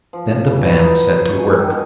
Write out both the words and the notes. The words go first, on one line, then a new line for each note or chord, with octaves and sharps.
Then the band set to work.
F3
A5
E3
G4
D#4
D#4
C6
C#5
G#5
D#3
B2